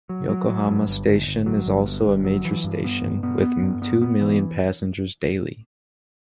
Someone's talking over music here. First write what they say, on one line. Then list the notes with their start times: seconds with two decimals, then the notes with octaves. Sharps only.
Yokohama Station is also a major station, with two million passengers daily.
0.09 F#3
0.29 F#3
0.49 F#3
0.68 G2
0.89 G1
1.08 G1
1.27 G1
1.46 F#3
1.66 G1
1.86 G2
2.06 G1
2.25 F#3
2.45 E3
2.64 G2
2.84 B3
3.03 G2
3.23 B3
3.42 B3
3.63 G2
3.82 B3
4.01 B3
4.21 E3